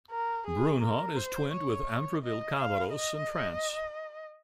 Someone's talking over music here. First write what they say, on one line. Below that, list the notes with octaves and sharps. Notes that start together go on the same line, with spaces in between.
Brunehaut is twinned with Amfreville, Calvados in France.
A#4
G#4
A#4
C5
C#5
D#5
F5
D#5